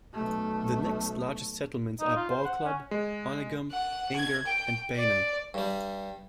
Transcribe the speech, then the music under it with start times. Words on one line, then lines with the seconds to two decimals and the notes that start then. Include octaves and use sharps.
The next largest settlements are Ball Club, Onigum, Inger, and Bena.
0.13 B1 A3
2.00 D#4
2.15 F4
2.30 C5
2.45 F#5
2.64 C#4
2.91 G#3
3.71 F#5
4.16 G#6
4.46 G5
4.97 D5
5.54 G2 G3